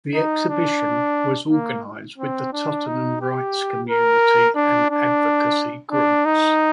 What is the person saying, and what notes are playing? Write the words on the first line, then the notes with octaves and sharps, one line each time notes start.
The exhibition was organized with the Tottenham Rights community and advocacy groups.
D#4
D4
A#3
C4
D4
D#4
G4
A#4
D4
D4
D4
D#4